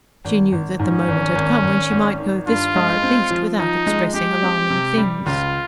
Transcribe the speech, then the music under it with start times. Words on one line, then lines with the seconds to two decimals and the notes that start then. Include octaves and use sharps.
She knew that the moment had come when she might go this far, at least, without expressing alarming things.
0.25 G#1
0.52 G#1
0.79 G#2 C#4
1.08 G#1
1.35 G#1
1.63 G#1
1.91 G#1
2.19 D#3
2.47 G2 F4
2.76 G#3
3.03 C4
3.30 F3
3.59 F3 D#4
3.87 G#3
4.14 G#3 G4
4.43 C4
4.70 C3
4.97 G3
5.26 C#2 F4